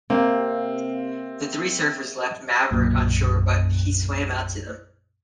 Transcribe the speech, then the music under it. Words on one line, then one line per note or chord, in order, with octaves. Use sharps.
The three surfers left Maverick on shore, but he swam out to them.
C3 A#3 C4 F5
B1 F#2 A#2